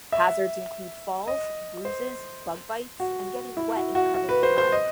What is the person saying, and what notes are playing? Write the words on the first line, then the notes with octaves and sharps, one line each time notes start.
Hazards include falls, bruises, bug bites and getting wet and covered in mud.
E5
D#5
C5
F#4
E4
F#4
F#4
F#4
B4
C5
C5
D#5